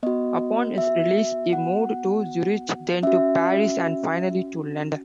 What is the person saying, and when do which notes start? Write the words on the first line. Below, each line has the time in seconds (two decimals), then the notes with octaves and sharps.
Upon his release he moved to Zurich, then to Paris and finally to London.
0.03 B3 F#4 D#5
0.78 E5
1.53 F#5
3.03 C#4 F#4 E5